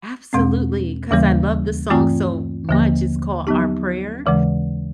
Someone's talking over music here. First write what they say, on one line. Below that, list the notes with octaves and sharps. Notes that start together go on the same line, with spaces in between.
Absolutely, 'cause I love the song so much, it's called Our Prayer,
E2 B2 G#3 C4
D#2 C#3 E3 G3 A#3
G2 E3 A3 C4 F4
D#2 D3 F3 A#3
F#3 B3 D#4 G4
D#2 C#3 E3 G#3